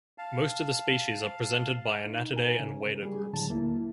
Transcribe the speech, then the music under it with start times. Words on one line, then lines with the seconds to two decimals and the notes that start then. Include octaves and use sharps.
Most of the species are presented by Anatidae and wader groups.
0.18 F5 A5
2.06 D#4
2.33 A#4 G#5
2.59 C#3
3.03 G3 G#4
3.33 A2 D3 F#3 A5
3.49 D2 A#3 E4